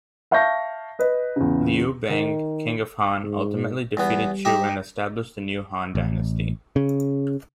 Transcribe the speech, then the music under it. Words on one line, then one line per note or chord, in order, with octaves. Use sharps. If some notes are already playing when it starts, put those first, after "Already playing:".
Liu Bang, king of Han, ultimately defeated Chu and established the new Han dynasty.
E5 F5 A5 C#6 G6 A#6
B4 D#5
E2 C#3
D#3
G#2
E2 G3 B3
D#4 G4 E5
A1
C#3